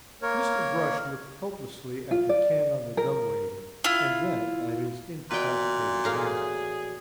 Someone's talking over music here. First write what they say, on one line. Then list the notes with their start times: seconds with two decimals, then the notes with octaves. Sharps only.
Mr. Brush looked helplessly at the can on the dumb-waiter and then at his incapacitated hands.
0.22 A#3 A#4 C#5
2.11 F4
2.29 D5
2.97 A#4
3.84 E4 F4
5.31 E2 A#2 F#4 B4 D#5 G5
6.04 A2 A#3 G#4 F5